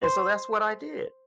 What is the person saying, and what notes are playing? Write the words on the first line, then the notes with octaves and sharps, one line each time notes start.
and so that's what I did,
C5